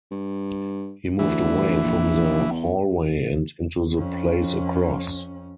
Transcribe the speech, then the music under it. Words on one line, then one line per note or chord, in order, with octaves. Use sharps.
He moved away from the hallway and into the place across.
G2
D2 E3
A#1
E2
F2 C#4